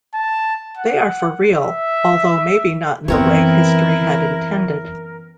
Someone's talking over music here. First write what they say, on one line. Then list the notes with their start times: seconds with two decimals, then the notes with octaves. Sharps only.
They are for real-although maybe not in the way history had intended.
0.14 A5
0.77 F#5
1.54 E5
3.08 F#2 E3 B3 C4 E4 A#4 C#5